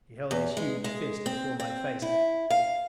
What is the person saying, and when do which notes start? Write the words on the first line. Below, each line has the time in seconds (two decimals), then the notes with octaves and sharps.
He held his huge fist before my face.
0.31 E2
0.57 G#3
0.84 G#3
1.26 C4
1.60 C4
2.02 E4
2.50 F5